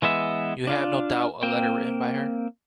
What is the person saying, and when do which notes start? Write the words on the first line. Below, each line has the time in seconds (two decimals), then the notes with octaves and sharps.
You have, no doubt, a letter written by her?
0.02 E3 G#3 B3 E5
0.67 D4 F4
1.43 A#3 C4 G5